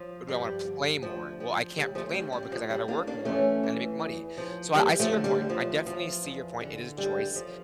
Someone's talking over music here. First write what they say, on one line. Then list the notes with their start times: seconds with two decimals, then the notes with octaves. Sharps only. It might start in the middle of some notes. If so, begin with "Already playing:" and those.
or do I wanna play more? Well, I can't play more because I gotta work more, and to make money, so I I see your point. I definitely see your point. It is choice
Already playing: F3
0.28 G2 G3
0.65 D3
1.02 D2 F3
1.40 F3
1.77 D2 G3
1.95 F3 A3
2.14 C#3 G3
2.32 G3
2.43 G3
2.51 A2 F3
2.70 G3
2.88 A2 A#3 D4
3.07 A#3 D4
3.25 E3 A3 C#4
3.63 E3
4.00 E2
4.37 F3
4.74 E2 G3 A#3
5.00 F3 A3
5.12 D3
5.24 G3
5.49 E2 F3
5.87 F3
6.24 E2
6.61 D3
6.98 E2 G3
7.35 F3